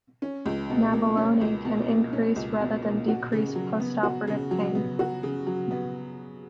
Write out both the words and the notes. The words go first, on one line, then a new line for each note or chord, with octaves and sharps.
Nabilone can increase-rather than decrease-post-operative pain.
C#4
C#2
B2
A#3
C#4
C#2
B2
A#3
C#4
C#2
B2
A#3
F#4
C#3
F#3
B3
F#4
C#3
F#3
B3
F#4
C#3
F#3
B3